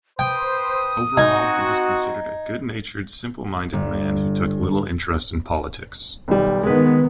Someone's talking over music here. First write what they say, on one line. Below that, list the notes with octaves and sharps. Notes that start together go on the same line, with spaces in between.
Overall, he was considered a good-natured, simple-minded man who took little interest in politics.
B4 C5 G5 D#6
C4 D#4 F#4 G#5
G1
B1 D#3 G3
D#3 G#3 B3 B4